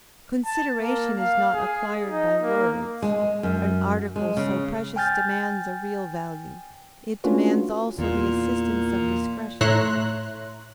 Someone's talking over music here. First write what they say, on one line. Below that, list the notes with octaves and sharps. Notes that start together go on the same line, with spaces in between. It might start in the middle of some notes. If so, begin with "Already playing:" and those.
Consideration is not acquired by words; an article so precious demands a real value; it demands also the assistance of discretion.
A5
A#3
F5
G#4
D#4
A#3
G#3
F#2
G#3
C#3
G5 G#5 F6 G6 A6
A3 C#4 D4 F4 F#4 B4
E2 A#2
A2 C#5 E5 A#5 C6 F#6